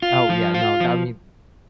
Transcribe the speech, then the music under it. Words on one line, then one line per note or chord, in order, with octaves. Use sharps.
Oh, yeah, no, that mean
F4
F3
F4
F3